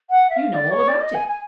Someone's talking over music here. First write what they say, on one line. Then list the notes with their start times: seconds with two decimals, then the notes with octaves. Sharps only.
You know all about it.
0.10 F#5
0.30 E5
0.36 F5
0.54 D5
0.71 C#5
0.88 D5
1.01 D#5
1.14 G#5
1.28 G#5